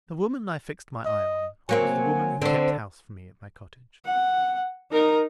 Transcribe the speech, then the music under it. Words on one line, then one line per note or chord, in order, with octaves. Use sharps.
The woman I fixed my eye on, was the woman who kept house for me at my cottage.
D#5
F#3 A#3 C4 G#5
D3 C4 C5
F#5
D#4 A#4